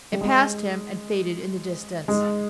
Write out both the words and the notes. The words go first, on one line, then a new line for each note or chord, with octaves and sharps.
It passed him and faded in the distance.
G3
G#3
G#3